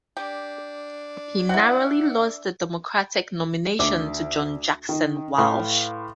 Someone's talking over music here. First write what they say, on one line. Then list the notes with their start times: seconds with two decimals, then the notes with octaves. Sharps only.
He narrowly lost the Democratic nomination to John Jackson Walsh.
0.17 D4 G4
1.49 C4 E4 F#5
3.79 D2 D6
4.89 D#3
5.38 A2 B4 F5 C6 C#6